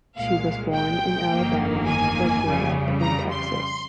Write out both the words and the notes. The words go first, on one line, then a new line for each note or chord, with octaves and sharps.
She was born in Alabama but grew up in Texas.
C2 A#2 G#3 F5
G5
G1 F2 D#3 A#3
G#5
F2 C#3 G3
A#5
C6